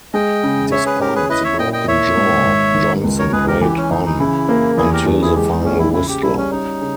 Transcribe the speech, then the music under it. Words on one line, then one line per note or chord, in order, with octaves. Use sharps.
Despite the broken jaw, Johnson played on until the final whistle.
G#3 D#5 G5
C#3
C#4 C#5 E5
G#4 B4
C#4 G4 A#4
G#4 B4
E4 B4 D#5
C#5 E5
A#2 D#5 G5
D#5 G5
E4 C#5 E5
G#2
G#1
D#3
C#2
A#4 C#5
C#2 G#4 B4
G4 A#4
E3 G4
C#4
E3 D#4
D#4
C#3 E4
A#3
E2 E4 G#4
G4 A#4
E2
E4 G#4
G#3 G4
D#4
A#1 C#4
E4
C#3 E4
G4
G3 E4
C#4
C#4 D#4
C#3